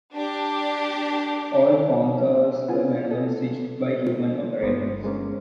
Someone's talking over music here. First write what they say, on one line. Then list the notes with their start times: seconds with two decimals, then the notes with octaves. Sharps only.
All phone calls were manually switched by human operators.
0.13 D4 G4
2.68 B3 E4 F4 G#5
3.11 A4
4.62 G1 A#3 B3 C5
5.04 G#3 A#3 C#4